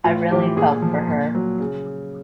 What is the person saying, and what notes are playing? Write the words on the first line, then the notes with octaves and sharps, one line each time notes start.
I really felt for her.
A2 F4
E3 G4
A#2 G#4
F3
A#2
F#3
C#3